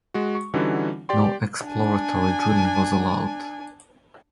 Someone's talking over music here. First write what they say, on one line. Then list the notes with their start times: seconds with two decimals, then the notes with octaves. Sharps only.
No exploratory drilling was allowed.
0.14 G#3 F#4
0.35 C#6
0.54 D3 E3 G3 C#4 D#4 F#4
1.09 G4 D5 G5 C6
1.66 D4 G#5